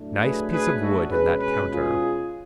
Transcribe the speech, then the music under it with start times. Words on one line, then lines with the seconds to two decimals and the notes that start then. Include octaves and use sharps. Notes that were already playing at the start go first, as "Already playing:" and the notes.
Nice piece of wood in that counter.
Already playing: A2 F#3 A3 D4
0.21 G#4 B4
0.50 G#4 B4
0.80 F#4 A4
1.10 B2 G#3 C#4 G#4 B4
1.39 G#4 B4
1.69 F4 G#4